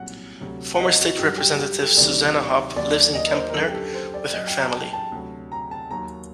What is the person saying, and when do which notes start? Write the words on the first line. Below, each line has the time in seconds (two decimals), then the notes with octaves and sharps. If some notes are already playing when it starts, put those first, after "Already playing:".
Former State Representative Suzanna Hupp lives in Kempner with her family.
Already playing: C2 A#2 F#3 F#5
0.40 D2 C3 F#3
0.74 F#5
0.80 D#5
1.00 F#4
1.19 G2 G4
1.22 F#3
1.38 G4
1.59 G4
1.78 A4
1.97 D2 C3 D#3 F#3 D5
2.76 D#2 D#3 F#3 D5
3.15 D#5
3.26 A#4
3.35 C5
3.49 A#4
3.55 F#2 D3 F#3 A4
3.68 G4
3.75 A4
3.94 C5
4.14 D5
4.33 F#2 D#5
4.37 F#3
4.47 G5
4.59 A#5
4.72 A5
4.93 A5
5.12 D2 C3 F#3
5.52 A#5
5.71 A5
5.91 D#2 D#3 F#3 A#5